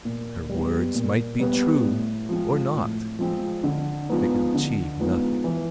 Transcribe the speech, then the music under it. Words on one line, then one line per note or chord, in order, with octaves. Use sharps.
Her words might be true or not, they could achieve nothing.
A#2
G3 B3
A#2
G3 B3
A2
F3 G#3 C4
A2
F3 G#3 C4
D3
F3 G#3 B3 D#4
D3
F3 G#3 B3 D#4
E3